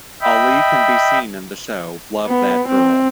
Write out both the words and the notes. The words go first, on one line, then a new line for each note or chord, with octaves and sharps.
Ali can be seen in the show, Love That Girl!
D#5 E5 G5 B5
B3
C4